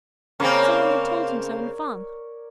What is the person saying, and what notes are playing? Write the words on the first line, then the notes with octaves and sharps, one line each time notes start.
Some one had told him so in fun.
C#3 A#3 C4 A#4 C#5 D5